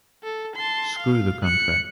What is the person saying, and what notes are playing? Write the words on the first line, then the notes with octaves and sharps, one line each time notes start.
Screw the contract!
A4
A5 C6
F5
F#6 C#7